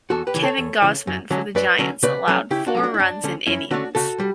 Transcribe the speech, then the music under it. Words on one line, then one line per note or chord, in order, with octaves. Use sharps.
Kevin Gausman for the Giants allowed four runs in innings.
E2 F#4 A4
G4 B4
C#3 E3
A4 C#5
E2
C#3 E3
F#2
D3 F#3 C#4
F#2 B4 D5
D3 F#3 C#4
C#3 B4 D5
F#3 A3 C#4
C#3 E4 G4
D4 F#4
F#3 A3 C#4
D4 F#4
E4
F#2 D4
D3 A3 C#4
F#2 C#4 E4
D3 A3 C#4 D4 F#4
C#3 F#4 A4
G3